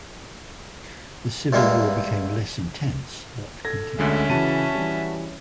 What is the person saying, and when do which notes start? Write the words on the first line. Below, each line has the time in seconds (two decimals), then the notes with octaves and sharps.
The civil war became less intense but continued.
1.53 E2 G2 E3 G#3 A#3
3.65 A4 G#6 A#6
3.99 D2 D3 G#3 C#4 E5
4.30 C#3 E3 F#4 A5 D#7
4.75 E3 G3